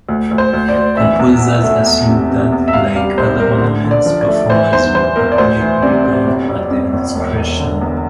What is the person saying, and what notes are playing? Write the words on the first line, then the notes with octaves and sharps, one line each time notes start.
Composers assumed that, like other ornaments, performers would apply "bebung" at their discretion.
D2
D2
C5
D2
D5
D2
E3 E5
E2
E2
A3
E2
C3
C3
E2
E5
C2 F5
G3 F5
C2 C5
G3 A#4
D3
D3
D5
F3
D5
A3
E3 C5
E2 C5
E3 C5
E2 A#4
D5
D2 C5
E3
C3 D5
C3
G1
F2
F2
G1
E1
E2
D3
E2